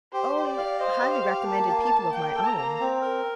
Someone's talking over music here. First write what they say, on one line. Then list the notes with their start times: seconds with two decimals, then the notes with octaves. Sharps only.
'Oh, highly recommended people of my own.'
0.13 G4 C5
0.35 G4
0.46 D5
0.58 F5
0.80 C5 D#5
1.02 G4
1.12 F5
1.23 G4
1.46 A#3 A5
1.69 A#3
1.80 A5
1.91 A#3
2.13 A#3 G5
2.35 A4
2.46 A#5
2.57 A#3
2.80 C4
3.01 A#4